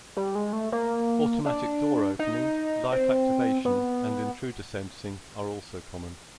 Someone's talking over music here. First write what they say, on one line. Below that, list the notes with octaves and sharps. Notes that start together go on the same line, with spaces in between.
Automatic door opening, light activation and intruder sensing are also common.
G3
G#3
A3
A#3
D4
D#4
C4
B3